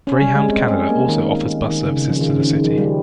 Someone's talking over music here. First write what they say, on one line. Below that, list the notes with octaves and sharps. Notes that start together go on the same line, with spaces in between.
Greyhound Canada also offers bus services to the city.
C#4
G3
G#3
C4
C#4
A#3
D#3
D#3
C#3
C#3
F3
D#3
C#3
D#3
D#3
F3
G3